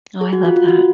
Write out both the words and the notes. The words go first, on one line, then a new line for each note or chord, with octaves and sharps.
Oh, I love that.
G#4
F#4
F4
F4
F#4